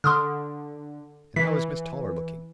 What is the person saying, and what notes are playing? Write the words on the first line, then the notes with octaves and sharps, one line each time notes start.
And how is Miss Toller looking?
D3 C6 D#6 F6
E3 B6